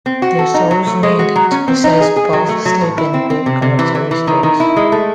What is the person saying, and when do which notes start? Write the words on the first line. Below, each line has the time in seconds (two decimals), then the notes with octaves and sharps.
Their soles need to possess both "slip" and "grip" characteristics.
0.06 C4
0.22 F#4
0.39 A4
0.54 D#4
0.71 F#3
0.87 A3
1.03 G#3
1.19 F#4
1.36 F#3
1.52 C#4
1.68 C4
1.84 D#4
2.01 G#4
2.16 G#4
2.33 F#3
2.49 A3
2.66 F#3
2.81 A2
2.98 E4
3.14 C4
3.30 C4
3.46 C3
3.62 C3
3.79 E3
3.95 E3
4.11 E3
4.27 D#3
4.43 D#3
4.60 E4
4.77 G#3
4.92 A3